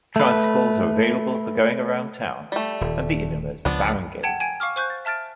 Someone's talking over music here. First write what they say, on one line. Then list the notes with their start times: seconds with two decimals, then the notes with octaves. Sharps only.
Tricycles are available for going around town and the innermost Barangays.
0.16 A3 B4
2.52 G3 A3
2.81 D#1
3.65 C#2 F3 B3 D4
4.23 F#5 G5 A5 G#6
4.40 G#5 G#6 D7
4.60 F5 C#6 D6 F6
4.76 C5 G#5 C#6 F#6 G6
4.90 A6
5.05 E5 A5 F6 A6 D7